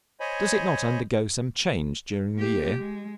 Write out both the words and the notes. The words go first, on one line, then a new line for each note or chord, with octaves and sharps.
Does it not undergo some change during the year?
C5 C#5 D#5 G#5 B5
A#3 G4
G#3